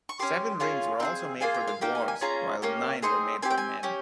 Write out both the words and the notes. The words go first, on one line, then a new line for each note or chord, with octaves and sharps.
Seven Rings were also made for the Dwarves, while Nine were made for Men.
C#6
C#4 G4 C6
C#4 F4 G#4 F5
C4 D#4 G#4
A#3 F4 G#4 G#5
G5
F5
A#3 D#4 G4 G5
G#5
G#5
C#4 F4 G#4 A#5
A#3 C#4 G4
C4 D#4 G#4 C6
C4 G4 G#5
G5
G#5
C#4 G4